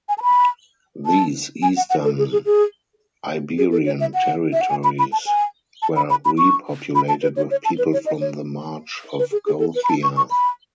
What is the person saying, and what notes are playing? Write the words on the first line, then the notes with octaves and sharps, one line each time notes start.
These eastern Iberian territories were repopulated with people from the March of Gothia.
G#5
A5
B5
A5
G#5
F#5
F#5
A4
G#4
G#4
G#4
G#4
A4
C#5
E5
F#5
E5
F#5
G#5
B5
B5
A5
G#5
A5
B5
B5
B5
C#6
B5
A5
B4
C#5
C#5
A5
B4
C#5
D#5
C#5
B4
G#4
G#4
A4
B4
B5
A5
C#6
C#6
B5